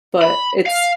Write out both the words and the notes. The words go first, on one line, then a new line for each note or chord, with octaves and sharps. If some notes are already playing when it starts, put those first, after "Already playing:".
but it's
B5
F5